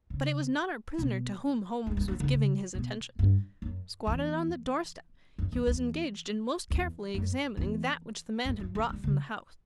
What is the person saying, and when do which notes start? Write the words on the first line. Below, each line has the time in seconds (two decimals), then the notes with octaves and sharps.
But it was not our prisoner to whom Holmes was giving his attention. Squatted on the doorstep, he was engaged in most carefully examining that which the man had brought from the house.
0.10 C#3
0.98 B2
1.87 A3
1.97 G3
2.08 F#3
2.20 D3
2.30 C#3
2.75 B2
3.19 G2
3.62 F#2
4.07 E2
5.38 F#2
5.52 E2
5.67 E2
6.70 E2
7.14 F#2
7.57 E2
8.45 F#2
8.60 G2
8.75 F#3
8.89 G3
9.04 D3